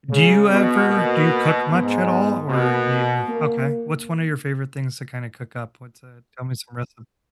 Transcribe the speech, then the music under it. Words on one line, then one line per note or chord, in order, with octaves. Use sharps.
Do you ever do you cook much at all, or do you? okay, what's one of your favorite things to kinda cook up? What's, uh, tell me some reci
C#3 G#3
B2 B3
B2 A#3
G#2 B3
B3
B2 A#3
A#3